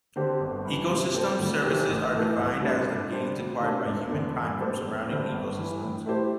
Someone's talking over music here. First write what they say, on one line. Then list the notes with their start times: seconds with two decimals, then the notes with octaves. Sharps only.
Ecosystem services are defined as the gains acquired by humankind from surroundings ecosystems.
0.16 D3 C4 G4 C5
0.41 G1
0.65 G2 E3
0.90 C3
1.14 G3 C4 A4
1.39 D2
1.63 C3 E3 C4 G4
1.88 A1
2.13 A2 E3 A3 E4
2.37 C2
2.62 C3 G3 D4 C5
2.87 G2
3.11 G3 D4 C5
3.36 D2
3.60 C3 A3 D4
3.84 E1
4.09 E2 D3 A3 D4
4.34 G2
4.59 G3 C4 A4 C5
4.82 E2
5.07 D3 G3 C4
5.32 G1
5.57 G2 E3
5.81 A2
6.06 A3 E4 G4 C5